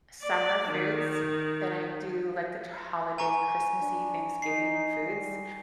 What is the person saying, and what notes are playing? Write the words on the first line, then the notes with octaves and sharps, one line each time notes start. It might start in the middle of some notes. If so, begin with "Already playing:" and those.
summer foods than I do, like, the t holiday, Christmassy, Thanksgiving foods
D5
D#3
G#5 A#5 C#6
D4
D#4 C7
G3